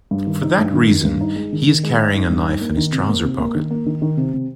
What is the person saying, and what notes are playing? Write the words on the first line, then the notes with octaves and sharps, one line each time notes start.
For that reason he is carrying a knife in his trouser pocket.
G2
D#3
D#4
G2
D#3
D#3
G2
D#4
G#3
D#3
D#3
G#3
G#3
D#4
G2
D#4
A#3
D#3
C3
A#3
C3
A#3
D#3
A#3
D#3
D#3
C3
C3